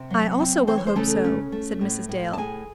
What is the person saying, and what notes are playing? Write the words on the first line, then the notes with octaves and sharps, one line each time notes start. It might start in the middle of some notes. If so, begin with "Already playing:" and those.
"I also will hope so," said Mrs. Dale.
Already playing: C3
F#3
C4
E3 C4 C5
C#5
C5
C#3 A3 A4
C#4
A3
A2
A2
A5
A2 G#4 G#5